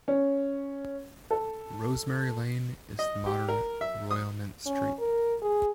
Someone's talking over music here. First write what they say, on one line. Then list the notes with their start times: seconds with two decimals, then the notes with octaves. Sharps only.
"Rosemary Lane" is the modern "Royal Mint Street".
0.08 C#4
1.31 A4
2.99 D#5
3.26 G4
3.49 A#4
3.81 E5
4.11 D#6
4.66 C#4
4.99 A#4
5.42 G#4